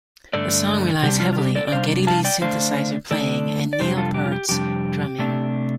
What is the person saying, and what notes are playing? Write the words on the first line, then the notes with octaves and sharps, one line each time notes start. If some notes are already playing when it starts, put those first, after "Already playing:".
The song relies heavily on Geddy Lee's synthesizer playing and Neil Peart's drumming.
G2 D3 A3 D4 A4 D5
C3 G3 D4 G4
F4
F4
G4
A4 D5
D5
C3 G3 D4 C5 F5
F5 A5
D5 G5
D3 A3 D4 C5 F5
D3 A3 D4 A4 D5
D5
F2 C3 G3 D4 G4 C5
F4 A4
G4
F4
G4
F2 C3 G3 D4 G4
C3 A3 D4